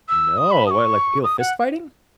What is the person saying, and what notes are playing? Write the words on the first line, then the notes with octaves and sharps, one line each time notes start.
No, well, like, people fist fighting?
E6
D#6
B5
D#6
C#6
D#6
F#5